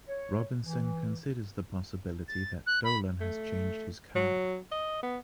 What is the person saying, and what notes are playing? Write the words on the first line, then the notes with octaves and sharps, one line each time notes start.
Robinson considers the possibility that Dolan had changed his car.
C#5
E3
A6
F#6
B5
A3
F#3
D#5
B3